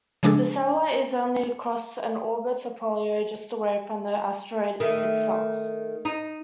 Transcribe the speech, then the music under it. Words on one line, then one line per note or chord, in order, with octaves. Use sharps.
The satellite is only across and orbits Apollo just away from the asteroid itself.
C#3 F3 G#3 D4 G#4 A4
D#3 A3
D#4